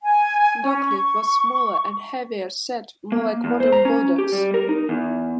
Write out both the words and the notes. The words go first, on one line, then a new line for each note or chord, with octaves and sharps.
Dockleaf was smaller and heavier set, more like modern Bulldogs.
G#5
C#4
C#6
A#3
E2
C5
A#5
C#4
G4
G3
A#4
D#4
E2